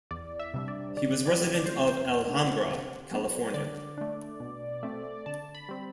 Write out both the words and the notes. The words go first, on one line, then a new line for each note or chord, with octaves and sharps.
He was a resident of Alhambra, California.
E2 D5
E5
C3 G3 D4
D5
D3 D5
D5
F#3 A3 C4
D5
C5
E2
C5
B2 A3 D4
C3
F#3 B3 D4
D3 D5
A3 D4
B2
A3 C4
D3 A5
B5
G3 C4